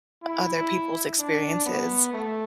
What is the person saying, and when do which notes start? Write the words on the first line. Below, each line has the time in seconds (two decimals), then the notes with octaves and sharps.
other people's experiences.
0.24 E4
1.19 D4
1.66 B3
2.13 A3